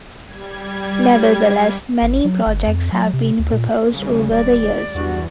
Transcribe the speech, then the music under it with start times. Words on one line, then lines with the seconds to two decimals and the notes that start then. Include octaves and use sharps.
Nevertheless, many projects have been proposed over the years.
0.24 G3 G#6
2.02 G#1
2.25 F#3
2.46 G1
2.67 F2
2.92 F#3
3.13 C3
3.39 D2
3.52 A#2
3.93 D#2 C#3 G3 G#3
4.30 E1 D5
4.95 E2 G2 F#4